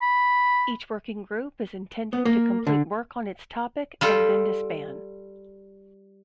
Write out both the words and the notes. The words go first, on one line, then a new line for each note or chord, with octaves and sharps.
Each working group is intended to complete work on its topic and then disband.
B5
B3
A#3
D3
G3 F4 A4